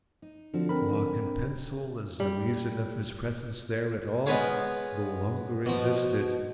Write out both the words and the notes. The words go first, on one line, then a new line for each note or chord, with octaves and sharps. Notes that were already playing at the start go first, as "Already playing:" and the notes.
Block and pencil, as the reason of his presence there at all, no longer existed....
D#4
D3 F3 C4 F#4
C4 D4 A#4 B5
G3
G#3 B3 F4 B4 C#5 F5
B2 F3